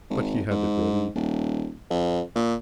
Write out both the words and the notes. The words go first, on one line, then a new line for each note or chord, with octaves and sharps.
But he had it ready.
G#1
G#2
D#1
F2
A#2